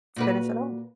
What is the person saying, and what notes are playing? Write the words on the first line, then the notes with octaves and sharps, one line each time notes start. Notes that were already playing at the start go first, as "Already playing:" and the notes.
finish at home.
A#2 F#4 B4